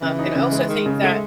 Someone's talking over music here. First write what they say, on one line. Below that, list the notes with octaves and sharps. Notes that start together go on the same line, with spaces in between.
um, and I also think that,
C#3 E3
D#4
C#3
G#3
D#3 G#3
C#3
G#3 A3